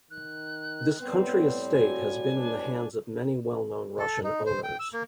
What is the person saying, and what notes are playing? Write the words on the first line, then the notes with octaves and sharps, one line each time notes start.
This country estate has been in the hands of many well known Russian owners.
D#3 F#6
A2 G3 B3 C4
F#4 G#5
B2 D4
A4
D#4
C5
G5
E6
A#3